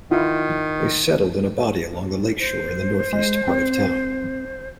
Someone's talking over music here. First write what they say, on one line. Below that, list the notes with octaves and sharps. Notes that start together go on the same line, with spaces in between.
They settled in a body along the lakeshore in the northeast part of town.
D#3 E4 F4 F#5
C5
G#3
C4